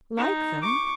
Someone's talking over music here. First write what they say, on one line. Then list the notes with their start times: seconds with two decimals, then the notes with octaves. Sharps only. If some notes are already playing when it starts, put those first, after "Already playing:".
"Like them!"
0.17 D#4
0.62 C#6 D6